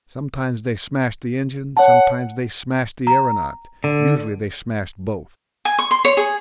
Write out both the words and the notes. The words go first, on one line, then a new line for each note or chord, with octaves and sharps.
Sometimes they smashed the engine, sometimes they smashed the aeronaut, usually they smashed both.
C#5 F#5 A5
A#5
D3
G#5
C#6
C6
C#5
G#4